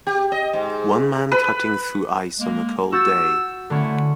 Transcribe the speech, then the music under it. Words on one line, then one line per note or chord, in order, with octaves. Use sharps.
One man cutting through ice on a cold day.
G4
D#5
G#2
B4
G#3 A#3
F#4 E6 G6 A6
D3 A3 C#4 E4